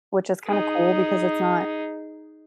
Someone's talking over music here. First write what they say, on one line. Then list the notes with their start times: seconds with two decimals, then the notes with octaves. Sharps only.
which is kinda cool because it's not
0.45 D#4 G#4